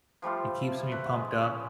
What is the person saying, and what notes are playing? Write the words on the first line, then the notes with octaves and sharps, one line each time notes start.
It keeps me pumped up,
F3 G3 A3 F4
A3 B4
G#3
C#4